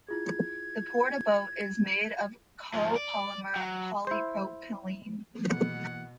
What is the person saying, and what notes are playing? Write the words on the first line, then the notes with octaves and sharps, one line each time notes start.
The Porta-Bote is made of copolymer polypropylene.
E4 F4 G#4 G#6
G#2 F3
D5
F#3
E4 C5
B2 E3 A#3 F#5